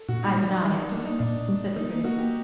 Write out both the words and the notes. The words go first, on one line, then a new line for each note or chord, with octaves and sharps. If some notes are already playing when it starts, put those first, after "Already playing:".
"I deny it," said the Critic.
Already playing: A4
A#2 F#4
D#4
G3 D4
D#4
G3 D4
D#4
A#3 D4
D#4
A#2 D4
G3
A#3 D#4
D#4
A#3 F#4
G4